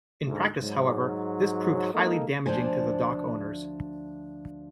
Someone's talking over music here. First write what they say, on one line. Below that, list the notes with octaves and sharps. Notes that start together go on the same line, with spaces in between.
In practice, however, this proved highly damaging to the dock owners.
D2 G#2
G#2 F#3
G#3 A#3 D#4 A4
D2 F3 D4 C5 G#5